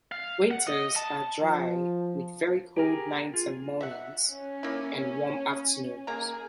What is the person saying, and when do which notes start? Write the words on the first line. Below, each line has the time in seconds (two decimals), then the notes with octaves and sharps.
Winters are dry with very cold nights and mornings, and warm afternoons.
0.12 F5
0.51 F#5
0.67 D#5
0.96 A5
1.42 F3
2.76 G4 G#4 A#4
3.34 F4 G#4
3.81 E5 F#5
4.34 C#4
4.63 A#3 E4
6.07 A#3 G#4 A#5